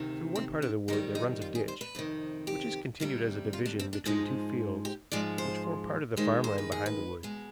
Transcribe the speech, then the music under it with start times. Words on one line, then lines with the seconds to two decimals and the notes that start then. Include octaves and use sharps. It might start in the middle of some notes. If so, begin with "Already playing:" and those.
Through one part of the wood there runs a ditch, which is continued as a division between two fields which form part of the farm land behind the wood.
Already playing: D2 C3 D#3
0.36 C4
0.62 D4
0.88 F2 D#3 G3 D#4
1.15 D#4
1.42 F4
1.55 G#4
1.68 C5
1.81 B4
1.95 F2 C3 D#3
2.47 G4
3.00 D2 C3 G3
3.53 F4
3.66 D4
3.79 C4
3.93 D4
4.05 G#2 F3 G#3 D#4
4.85 G4
5.12 G#2 F3 G#3 D5
5.38 C5
6.17 D#2 D#3 G#3 C5
6.44 C5
6.58 B4
6.72 G#4
6.86 B4
7.23 B2 G#3